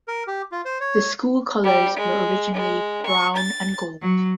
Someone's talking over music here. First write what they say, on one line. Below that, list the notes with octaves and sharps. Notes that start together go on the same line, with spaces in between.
The school colours were originally brown and gold.
A#4
G4
F4
C5
C#5
G3
G#3
G#3
C#6
A6
F#3